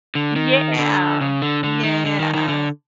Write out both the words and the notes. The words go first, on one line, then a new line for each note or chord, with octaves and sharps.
Yeah. Yeah.
D3
D#3
D3
C#3
D3
D3
D#3
D3
D#3
D#3
D3